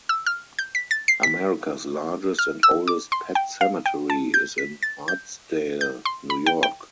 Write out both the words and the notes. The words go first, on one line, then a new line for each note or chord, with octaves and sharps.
America's largest and oldest pet cemetery is in Hartsdale, New York.
E6
F6
G6
B6
A6
C7
B6
F6
E6
D6
C6
G5
F5
G5
A5
G6
B6
A6
G6
G6
C6
B5
G5
G5